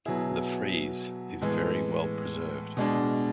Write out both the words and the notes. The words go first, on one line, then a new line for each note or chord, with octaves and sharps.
The frieze is very well preserved.
B2 F#3 B3 E4 G#4
A2 E3 G#3 B3
B2 G#3 D4